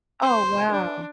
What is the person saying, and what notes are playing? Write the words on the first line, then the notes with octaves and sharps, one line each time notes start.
Oh, wow.
C5
D4